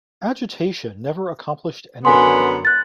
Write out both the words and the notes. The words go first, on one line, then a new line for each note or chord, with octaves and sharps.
Agitation never accomplished anything.
F#2 D3 B3 G#5 C6
F#6 A6